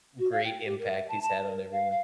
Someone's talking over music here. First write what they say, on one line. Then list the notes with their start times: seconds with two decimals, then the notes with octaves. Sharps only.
great impact he's had on everyone.
0.18 F#4
0.31 F5
0.43 G5
0.65 G4
0.78 A#4
0.95 E5
1.08 A5
1.21 A5
1.46 A#4
1.71 F5
1.90 F5